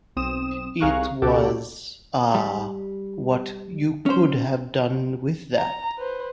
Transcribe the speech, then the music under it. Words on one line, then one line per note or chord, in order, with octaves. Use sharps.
It was, 'ah, what you could have done with that.
B1 C4 D#6 E7
C2 G#4 F5 A#5 C#6 F#6
C#2 B2 F#4 G4 A4 D6
G3
C#4 C5
A#5
B4 C5